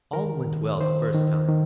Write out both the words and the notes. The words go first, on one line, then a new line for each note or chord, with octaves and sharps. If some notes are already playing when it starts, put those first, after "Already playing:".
All went well the first time.
D#3 A#4
D#3
D#3 C5
D#3
D#3